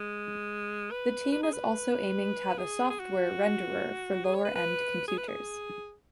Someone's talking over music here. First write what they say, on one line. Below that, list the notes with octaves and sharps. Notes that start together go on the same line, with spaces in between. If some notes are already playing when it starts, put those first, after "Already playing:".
The team was also aiming to have a software renderer for lower-end computers.
Already playing: G#3
B4
B4
G#4
B4
G#4
G#4
F#4
G#4
C#5
B4
B4
G#4
B4
G#4